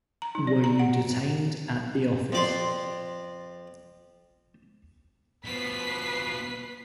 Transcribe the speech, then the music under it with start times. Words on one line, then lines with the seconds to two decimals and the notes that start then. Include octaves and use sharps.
Were you detained at the office?
0.22 A#5
0.35 D#4
0.47 D5
0.64 A#5
0.80 F#5
2.32 F2 D5 C6
5.45 B2 F3 B4 B6 C7